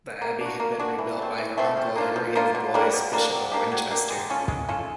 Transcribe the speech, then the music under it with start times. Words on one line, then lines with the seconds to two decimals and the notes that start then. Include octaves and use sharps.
The abbey had been rebuilt by her uncle Henry of Blois, Bishop of Winchester.
0.22 A#3
0.41 D4 F#4
0.60 A#3
0.79 D4 F#4
0.99 E3
1.19 A3 C4
1.38 E3
1.58 A3 C4
1.77 F3
1.96 A#3 D4 F4
2.16 F3
2.35 A#3 D4 F4
2.55 B2
2.74 G3 A#3 D4
2.93 B2
3.13 G3 A#3 D4
3.33 F#3
3.51 A#3 D4 G4
3.72 F#3
3.90 A#3 D4 G4
4.10 G#3
4.30 C#4 F4 A4
4.48 G#3
4.69 C#4 F4 A4